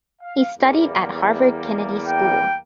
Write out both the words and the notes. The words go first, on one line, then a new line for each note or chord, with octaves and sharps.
He studied at Harvard Kennedy School.
F5
E2 G3 A#3
G5